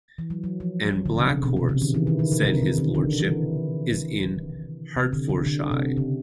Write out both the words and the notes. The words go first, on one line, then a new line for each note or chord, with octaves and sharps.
"And Bleak House," said his lordship, "is in Hertfordshire".
E3
F#3
F#3
F3
D3
C#3
C3
B2
C3
C#3
D#3
E3
D#3
D#3
D3
C3
D3
D#3
D3
E3
C3
D3
D3
D3
C3
C#3